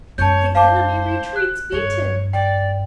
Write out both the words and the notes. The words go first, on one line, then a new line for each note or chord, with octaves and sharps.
The enemy retreats beaten!
F#2 G#3 C#5 A5 G6
C5 F5 A5 D6
F#6
G2 C#5
D5 G5